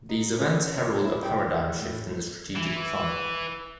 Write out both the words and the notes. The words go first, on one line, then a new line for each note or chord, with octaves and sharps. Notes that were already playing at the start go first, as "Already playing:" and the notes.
These events herald a paradigm shift in the strategic plan.
D#4
C#4
C#5
E4
G5
A2
E3